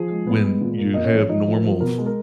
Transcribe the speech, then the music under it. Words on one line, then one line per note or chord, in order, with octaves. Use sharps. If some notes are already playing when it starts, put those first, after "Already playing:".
when you have normal f
Already playing: F3 G#4
G#3
B3
G#3
A#2
A#3
A#3 D#5
C#4 C#5
F3
F3 D#4 D#5
F3
A#4
F3
B2 A#4
G#3
A#4